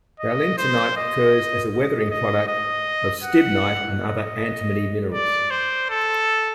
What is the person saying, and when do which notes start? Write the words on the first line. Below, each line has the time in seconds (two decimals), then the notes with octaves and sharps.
Valentinite occurs as a weathering product of stibnite and other antimony minerals.
0.20 D#5
0.58 C5
0.97 D#5
1.72 D#5
2.10 D#5
2.48 D#5
3.23 F#5
4.00 D#5
5.13 D5
5.51 C5
5.90 A4